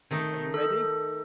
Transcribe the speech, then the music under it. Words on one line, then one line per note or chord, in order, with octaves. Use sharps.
"Are you ready?"
D#3 A3 D#4
A4